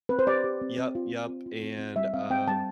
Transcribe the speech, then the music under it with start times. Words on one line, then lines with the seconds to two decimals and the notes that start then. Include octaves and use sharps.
Yep. Yep. And, um
0.09 C4 B4
0.19 C5
0.27 G4 D5
0.44 G4
0.61 C4
0.78 C4
0.95 F4
1.12 F4
1.29 C4
1.46 F4
1.63 C4
1.79 C4
1.96 G3 E5
2.14 C4 F5
2.30 C4 G5
2.48 G3 A5